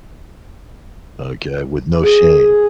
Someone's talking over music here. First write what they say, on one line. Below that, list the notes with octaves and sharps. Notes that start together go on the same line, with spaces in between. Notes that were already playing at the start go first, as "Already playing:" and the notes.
Okay? With no shame.
G#4